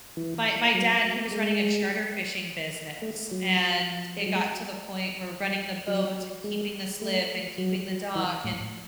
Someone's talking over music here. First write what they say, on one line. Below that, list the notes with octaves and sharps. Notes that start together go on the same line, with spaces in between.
my my dad, he was running a charter fishing business, and it got to the point where running the boat, and keeping the slip, and keeping the dock, and
E3
F#3
G#3
A3
F#3
G#3
F#3
G#3
F#3
G#3
A3
F#3
E3
A2